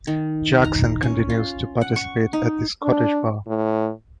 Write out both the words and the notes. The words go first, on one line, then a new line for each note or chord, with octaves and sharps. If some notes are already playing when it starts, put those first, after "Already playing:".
Jackson continues to practice at the Scottish Bar.
D#3
A#5
C#4
F4
F#5
C#6
D#4
D4
A2